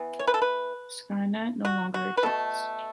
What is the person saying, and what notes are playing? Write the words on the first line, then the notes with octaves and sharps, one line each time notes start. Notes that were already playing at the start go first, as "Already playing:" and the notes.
Skynet no longer exists.
Already playing: E3 B3
C#5
B4
A4
B4
F#4
F#4
B4
B2 A3 A4